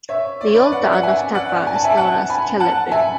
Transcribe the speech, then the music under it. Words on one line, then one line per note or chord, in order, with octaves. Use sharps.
The old town of Tepa is known as Kelebim.
C#5 E5
D5
C#5
B4 D5
D5 F#5
E5
F#5
E5 G#5
D5 F#5
G#5
A5
E5 G#5
F#5 A5
G#5 B5
F#5 A5
E5 G#5